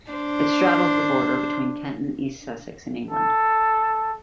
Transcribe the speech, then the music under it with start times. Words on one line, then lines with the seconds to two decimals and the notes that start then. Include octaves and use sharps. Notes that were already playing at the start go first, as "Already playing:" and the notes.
It straddles the border between Kent and East Sussex, in England.
0.11 D4 C5
3.10 A4